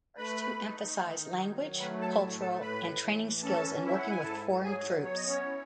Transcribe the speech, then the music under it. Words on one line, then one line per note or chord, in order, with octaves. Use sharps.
The first two emphasize language, cultural, and training skills in working with foreign troops.
A3 B4 B5
D#4
D#3
F#3
A3 B4 B5
A4 A5
A2
A4 A5
A2 B4 B5
E3
C#4 A4 A5
E4 E5
F#5
G#5
G#2 A4 A5
F#3 G#4 G#5
B3 C#5
D#5
C#4 C#5
E4